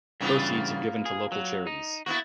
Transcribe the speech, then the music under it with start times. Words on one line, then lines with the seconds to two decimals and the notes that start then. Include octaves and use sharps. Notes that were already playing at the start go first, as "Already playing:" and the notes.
Proceeds are given to local charities.
0.21 G2 C#3 E3 A#3 B3 F4
1.05 G#4
1.32 F#3
1.67 D#4
2.06 A#3 B3 E4 F#4